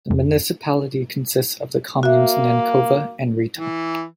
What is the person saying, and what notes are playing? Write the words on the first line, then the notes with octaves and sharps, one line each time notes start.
The municipality consists of the communes Nancova and Rito.
F2
A#3 F#4 E5
E3